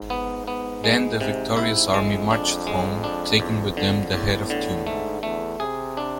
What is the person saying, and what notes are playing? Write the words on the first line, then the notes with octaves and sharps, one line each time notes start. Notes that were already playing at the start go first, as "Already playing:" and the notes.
Then the victorious army marched home taking with them the head of Teumman.
Already playing: G#2
B3
B3
G#3
C3
E4
F2 G#3
D4
G#3
D4
E2
D3
E2 A2
D3
G#2 A3
E2 A3
C3 G#4
D4